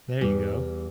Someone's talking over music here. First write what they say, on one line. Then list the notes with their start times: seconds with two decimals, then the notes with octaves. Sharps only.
There you go.
0.21 E2 G3